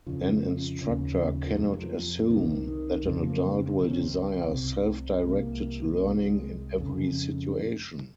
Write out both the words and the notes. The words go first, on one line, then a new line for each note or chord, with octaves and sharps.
An instructor cannot assume that an adult will desire self-directed learning in every situation.
F2 C#3 F3
D#2 C#3
F3
F2 C3 F#3
F3
C2 C3 D#3
D#3
F2 C#3 F3
A#3
C4
C#2 C3 C4
C#4
C4
C2 C3
G#3
C2 C3 A#3
C2 C3 G#3
F#3
G#3
F2 C#3